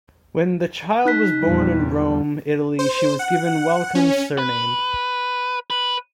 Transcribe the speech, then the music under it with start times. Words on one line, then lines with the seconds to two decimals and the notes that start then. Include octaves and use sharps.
When the child was born in Rome, Italy, she was given Wellcome's surname.
1.05 D#4 F#6 B6
1.40 E2 A#2 G3
2.79 C5
3.19 F#5
3.95 C#4
4.39 B4
5.70 B4